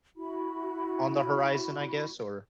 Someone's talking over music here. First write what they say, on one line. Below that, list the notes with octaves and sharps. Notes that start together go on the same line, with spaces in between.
on the horizon, I guess? Or
E4 F#4 B5